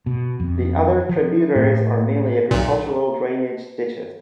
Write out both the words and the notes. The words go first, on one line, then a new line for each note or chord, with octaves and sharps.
The other tributaries are mainly agricultural drainage ditches.
B2
F2
F3
A2
B1 A#2